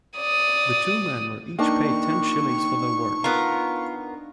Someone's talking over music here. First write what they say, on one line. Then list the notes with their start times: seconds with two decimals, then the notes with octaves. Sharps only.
The two men were each paid ten shillings for their work.
0.17 D5 D#6
1.59 A#3 D4 D#4 G5 C#6
3.24 B3 F4 A#4